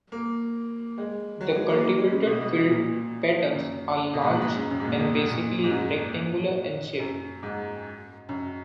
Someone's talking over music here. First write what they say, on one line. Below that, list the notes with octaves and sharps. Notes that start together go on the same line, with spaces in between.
The cultivated field patterns are large and basically rectangular in shape.
A#3
G#3
F#3
G#3
A#3
B3
A#3
G#3
C#3
B2
B2
B2
A#2
F#2
B2
G#2
A#2
G#2
F#2
F#2
G#2
A#2
B2
B2
A#2
G#2
F#2
F#2
G#2
F#2